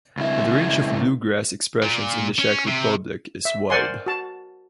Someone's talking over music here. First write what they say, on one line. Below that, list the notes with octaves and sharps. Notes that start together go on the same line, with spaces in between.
The range of "bluegrass" expressions in the Czech Republic is wide.
C#2 E4
A#2
C#4
C3
E5
A#4 C5 D5 F#5 G#5 C6
F#4 A5